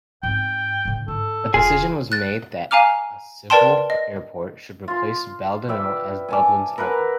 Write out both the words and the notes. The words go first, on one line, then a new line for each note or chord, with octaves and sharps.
A decision was made that a civil airport should replace Baldonnel as Dublin's airport.
G#2 C4 G5
A2 D3
G#2 A4
E1 F4 G#4 G#5
F#6 A6
F5 G#5 A#5 D6 F6
A#4 B4 D5 G5 A5 C6
D#5
F4 C6
B4 D5 E5 G5
G#5 A5 D6
A#4 B4 E5 F#5